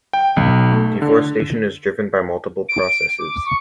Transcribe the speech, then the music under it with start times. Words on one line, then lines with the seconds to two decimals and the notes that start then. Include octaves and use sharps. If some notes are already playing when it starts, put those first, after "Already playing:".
Deforestation is driven by multiple processes.
0.13 G5
0.37 B1
0.72 A3
1.02 D3
2.69 D7
3.19 D6
3.45 C#6